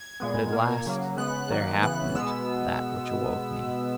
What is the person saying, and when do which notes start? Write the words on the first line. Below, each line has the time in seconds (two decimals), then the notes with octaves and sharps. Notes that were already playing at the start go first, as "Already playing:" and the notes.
But at last there happened that which awoke me.
Already playing: G#6
0.20 A#2 G#3 B3
0.52 A#2 A#3
0.86 C#3 F#3 A#3
1.17 C#3 G#3 B3 F#6
1.51 D#3 F#3 A#3
1.82 C#3 E3 B3 F#6
2.08 F#6
2.15 B2 G#3 B3 E6